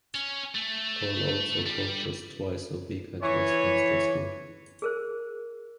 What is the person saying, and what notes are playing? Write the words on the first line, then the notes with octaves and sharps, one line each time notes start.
Paul also coaches twice a week at Westminster School.
C#4
A3
G3
E3 C#5
G#4 A#4 C5